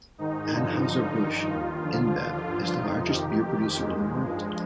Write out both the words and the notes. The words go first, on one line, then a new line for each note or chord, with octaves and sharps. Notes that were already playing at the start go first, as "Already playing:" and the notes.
Anheuser-Busch InBev is the largest beer producer in the world.
G#2 D#3 D#4
G2 D3 F3
G2 D3 F3 D#4
G2 D#3
D#2 D#3 F4
D#2 D3 F3
D#2 D3 F3 F4
G2 D3 F3
F2 C3 F3 D#4
F2 D#3 G4
F2 D#3
D#2 D#3 G#3
G2 F3